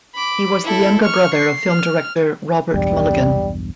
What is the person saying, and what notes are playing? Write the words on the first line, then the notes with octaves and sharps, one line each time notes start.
He was the younger brother of film director Robert Mulligan.
B5 D6
E4 A4
C#6 F6
C7
F6
B1 E2 G2 G3